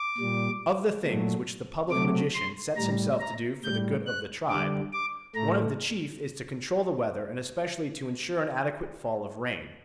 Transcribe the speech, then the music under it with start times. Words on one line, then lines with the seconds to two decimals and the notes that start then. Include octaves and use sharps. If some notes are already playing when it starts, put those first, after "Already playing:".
OF THE THINGS which the public magician sets himself to do for the good of the tribe, one of the chief is to control the weather and especially to ensure an adequate fall of rain.
Already playing: D6
0.18 A#2 G3
1.04 A#2 F#3 A3
1.90 C3 F#3 A3 D6
2.35 C6
2.76 A2 G3 A#5
3.20 A#5
3.64 A2 G3 G6
4.06 F#6
4.49 D3 G3 D6
4.92 D6
5.35 A2 A3 A#5